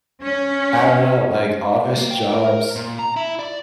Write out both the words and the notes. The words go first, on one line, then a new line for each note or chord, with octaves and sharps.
I dunno. Like, office jobs
C#4
A#3
G5
A#4
A#2
A#5
E4
D5